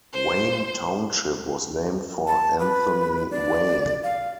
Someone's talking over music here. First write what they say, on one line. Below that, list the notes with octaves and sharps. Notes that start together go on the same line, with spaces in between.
Wayne Township was named for Anthony Wayne.
C5
A5
B4
D5
F5